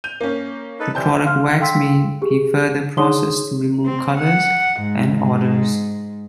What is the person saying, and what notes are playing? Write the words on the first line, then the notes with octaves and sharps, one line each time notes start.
The product wax may be further processed to remove colors and odors.
G6 D#7 F7
A#3 C#4
D#4 A4 B4
E3 G3 C4 A5 G6
F5 C6 F6
A4 F5 G5 C6 E6 B6
G4 G#4
D#4 G#4 C#5 C6 D#6 G7
C4
F#5
G#2